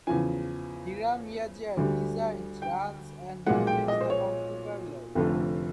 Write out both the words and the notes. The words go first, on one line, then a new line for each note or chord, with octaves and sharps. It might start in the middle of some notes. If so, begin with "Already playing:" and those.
Hiram Yeager designed, runs, and maintains the computer lab.
E2 C#3 F3 G#5
D2 D3 G3
G5
B1 A#2 F3 G#3 F#5
G5
D#5
C5
C#5
F1 F2 D3 F3 A3